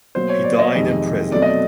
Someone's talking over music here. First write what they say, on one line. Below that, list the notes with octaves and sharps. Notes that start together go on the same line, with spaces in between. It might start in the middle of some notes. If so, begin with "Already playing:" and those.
He died in prison.
B2 F#3 A#3 C5
C#5
D5
D#5
F2 C3 D#3 G#3 C4
B2 F#3 A3 C4 D5
D#5